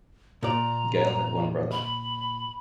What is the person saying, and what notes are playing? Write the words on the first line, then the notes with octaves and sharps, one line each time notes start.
Gale had one brother.
A#2 D5 A#5
B5